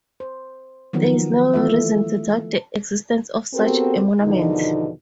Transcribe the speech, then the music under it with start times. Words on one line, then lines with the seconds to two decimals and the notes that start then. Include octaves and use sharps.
There is no reason to doubt the existence of such a monument.
0.20 C5
0.93 D#3 F3 F#3 B3 A#4
1.54 E3 A3 F4 E5
3.55 B3 C4 F#4 G4 A4 A#4
4.22 E2 B2 D3 D#3 F3 D#4